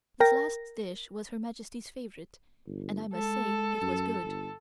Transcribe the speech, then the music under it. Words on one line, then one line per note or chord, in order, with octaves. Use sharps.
This last dish was Her Majesty's favorite and I must say it was good.
A#4 G5 A#6
G1
G#3 A4
F#2
G1